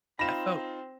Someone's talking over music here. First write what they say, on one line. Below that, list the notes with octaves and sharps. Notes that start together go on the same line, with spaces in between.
I felt
C4 D#4 F4 B5 A#6 E7